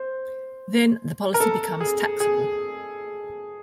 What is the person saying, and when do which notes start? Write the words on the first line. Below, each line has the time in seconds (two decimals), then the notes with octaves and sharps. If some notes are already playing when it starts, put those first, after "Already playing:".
Then, the policy becomes taxable.
Already playing: C5
1.34 A#4
1.40 A4
1.80 G#4
2.20 G#4